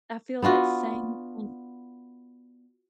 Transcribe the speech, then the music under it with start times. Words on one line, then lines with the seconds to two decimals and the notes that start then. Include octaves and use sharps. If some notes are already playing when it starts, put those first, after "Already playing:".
I feel that same thin
0.42 B3 D4 F4 F#4